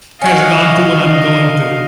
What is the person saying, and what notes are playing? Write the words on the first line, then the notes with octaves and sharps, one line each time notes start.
has gone through what I'm going through.
C#4 F#4 D#5 F5